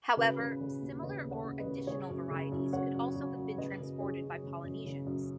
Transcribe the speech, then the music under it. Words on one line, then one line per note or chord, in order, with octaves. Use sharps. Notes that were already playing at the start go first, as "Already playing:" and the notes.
However, similar or additional varieties could also have been transported by Polynesians.
C#3 F#4 B4
C#3
C#3
D#2
C#3 B4 D#5
D#2
C#5 F#5
C#3
B4 D#5
C#3
C#3 G#4 C#5
F#2
C#3
F#2
F#2 C#5 F#5
F#2
F#2
F#2
C#3 B4 D#5
C#3
F#2 G#4 C#5
F#2
C#3
F#2
C#3
F#2